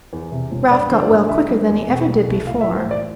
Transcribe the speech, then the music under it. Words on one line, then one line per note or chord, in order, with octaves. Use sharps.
Ralph got well quicker than he ever did before.
E2
C3
E1
G2 D5
D3 C5
D5
A1
D3 E5
G3
E2
B2
G3
C2
A2 F5
E5
E3
C5
A1
D5